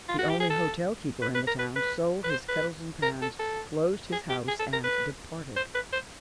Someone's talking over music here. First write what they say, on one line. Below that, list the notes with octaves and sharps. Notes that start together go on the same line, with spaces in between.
The only hotel-keeper in the town sold his kettles and pans, closed his house, and departed.
F4
F#4
G4
G#4
A4
B4
B4
A#4
B4
B4
B4
C5
B4
A#4
A4
A4
G#4
G4
G#4
A4
A#4
B4
C5
B4
C5